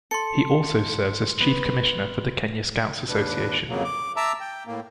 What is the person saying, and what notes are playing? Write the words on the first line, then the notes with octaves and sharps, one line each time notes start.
He also serves as Chief Commissioner for The Kenya Scouts Association.
A4 C6 C#7
B3
D#2 D4 B4
F2 C#3 F#3 A#3
D6
E5 A5 A#5 D6 E6
G5
A2 A#3